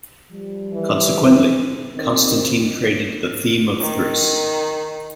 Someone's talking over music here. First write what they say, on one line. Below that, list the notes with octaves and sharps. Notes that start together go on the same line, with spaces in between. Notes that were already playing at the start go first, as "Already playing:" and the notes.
Consequently, Constantine created the Theme of Thrace.
F3 G3
E3
D#2 C3 D#3 C4
D#3